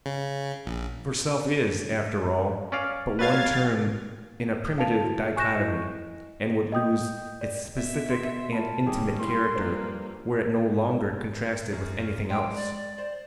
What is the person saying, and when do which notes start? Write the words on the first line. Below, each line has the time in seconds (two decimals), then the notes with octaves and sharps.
For self is, after all, but one term in a primitive dichotomy and would lose its specific and intimate character were it no longer contrasted with anything else.
0.06 C#3
0.66 A#1
2.72 C#4 D5 F5
3.19 F#3 B4 F5 G#6 A6
4.78 F5 A5 F7
5.04 E4 F#4
5.36 G#5 C#6 F#6 G6 A#6 E7
5.55 E4 D#5
6.72 D#5 G5 D#6 G6
7.41 D5
7.76 B2 E5
8.10 C6
8.53 F4 A5 B5
8.86 D#2 G3 C#4 G4 G#4
9.19 A2 C6
9.55 G2 A#3 F4 C5
11.72 F#2
12.30 G#3 G5
12.56 D5
12.98 C5